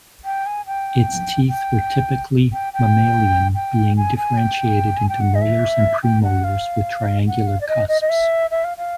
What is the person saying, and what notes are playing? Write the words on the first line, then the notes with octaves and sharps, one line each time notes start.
Its teeth were typically mammalian, being differentiated into molars and premolars with triangular cusps.
G5
G#5
G5
G5
G5
G5
G5
G#5
G#5
G5
G#5
G5
F#5
D#5
E5
G5
F#5
F5
F#5
F5
D5
D#5
D#5
D#5
E5
E5
F5
F5